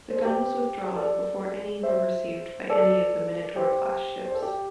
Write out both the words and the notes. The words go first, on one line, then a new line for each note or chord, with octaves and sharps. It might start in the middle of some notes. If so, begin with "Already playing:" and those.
The gun was withdrawn before any were received by any of the "Minotaur"-class ships.
C5
A4
G4 C5
A4 D5
C5 E5
A4 D5
G4 C5
C5
A4
G4